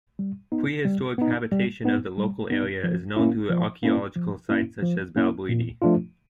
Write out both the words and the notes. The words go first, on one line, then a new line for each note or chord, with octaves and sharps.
Prehistoric habitation of the local area is known through archaeological sites such as Balbridie.
G3
B3 D#4
G3
B3 D#4
G3
B3 D#4
G3
B3 D#4
F3
A#3 C#4 E4
F3
A#3 C#4 E4
F3
A#3 C#4 E4
F3
A#3 C#4 E4
A#2
F3 A3 D4 F4